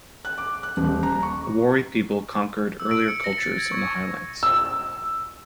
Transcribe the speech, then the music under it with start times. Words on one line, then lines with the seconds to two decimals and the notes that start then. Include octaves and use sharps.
The Wari' people conquered earlier cultures in the highlands.
0.25 F#6
0.38 D6
0.63 F#6
0.77 D#1
1.03 A#5
1.23 C#6
2.80 E6
2.91 D7
3.08 C#7
3.24 A#6
3.38 A6
3.58 G#6
3.72 C#6
4.43 E6